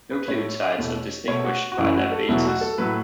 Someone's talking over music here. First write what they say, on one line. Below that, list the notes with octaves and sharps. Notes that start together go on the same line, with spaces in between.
Nucleotides are distinguished by their bases.
B4
B4
A2 A3 C#5
E2 B2 A3
B2 A3 C#5
F#4
F#4
F#2 E3 A3 E4
F#4
A4
E2 B2 F#3 A3 E4
F#4
A4
A2 F#3 A3 B4